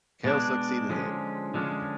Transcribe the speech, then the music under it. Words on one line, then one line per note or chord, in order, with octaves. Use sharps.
Cal succeeded him.
B2 G#3 D4
D3 F3 G#3 C#4
D3 F3 G#3 C#4